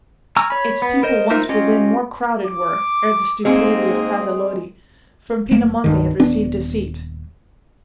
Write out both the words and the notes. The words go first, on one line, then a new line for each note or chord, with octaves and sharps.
Its people once within more crowded were, Ere the stupidity of Casalodi From Pinamonte had received deceit.
G#5 A#5 C#6 E6 F6
C#5 B5
B3
A#4 C5 D#5
D#4 F4 A#4 C5 E5
C#4 F4 G4 D#5
D6
G#2 G#3 A#3 C4 D#6
F#1 A3 A#3
C2 G2 D#3
D#1 B3 D4